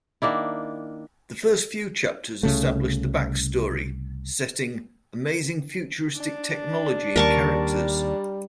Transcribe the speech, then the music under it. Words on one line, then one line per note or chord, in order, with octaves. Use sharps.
The first few chapters establish the backstory, setting, amazing futuristic technology and characters.
D#3 A#3 D4 E4
C2 C#3 A3
D4
D#2 G3 A#4 A5 C#6